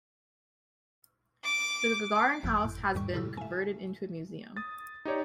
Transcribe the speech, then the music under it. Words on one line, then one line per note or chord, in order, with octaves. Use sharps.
The Gagarin house has been converted into a museum.
D6
G1 F2 F3 E6 F#6 G6
A2
E2 G#2 D#3 G3 C#6
A#2 C#3 E4 G4 A4 E6
E5 G#5
D#6 A6
D#4 G4 C#5 D5